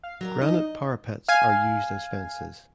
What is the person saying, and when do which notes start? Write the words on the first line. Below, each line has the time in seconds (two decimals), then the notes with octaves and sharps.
Granite parapets are used as fences.
0.04 F5
0.21 F#3 A#4 D5 A#5
0.42 D#4 D#5
1.28 F5 G#5